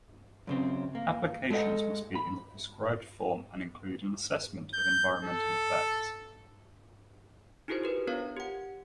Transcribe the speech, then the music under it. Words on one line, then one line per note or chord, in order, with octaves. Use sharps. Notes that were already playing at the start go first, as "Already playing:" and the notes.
Applications must be in the prescribed form and include an assessment of environmental effects.
F#2 C#3 C4
A#3
G#3 A4 B4 D#5 F#5
B5
G6
A4
D#4 E4 F#4 G#4 A#4 C5
G4 A#4 B4
B3 D4 F4 A#4 C#5 F5
G4 F#5